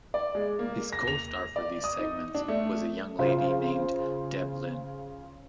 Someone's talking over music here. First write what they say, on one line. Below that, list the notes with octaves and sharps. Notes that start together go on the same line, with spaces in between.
His co-star for these segments was a young lady named Deb-Lyn.
D5
G#3
A#3
A#6
F7
D5
D#6
D#4
D4
A3
C#3 F4 C5